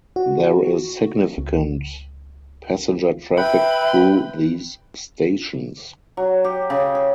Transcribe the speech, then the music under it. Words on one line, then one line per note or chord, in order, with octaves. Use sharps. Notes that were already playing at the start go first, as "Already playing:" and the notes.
There is significant passenger traffic through these stations.
F#4
C#2
B4 E5 G5 B5
F#3
G4
C#3
G#4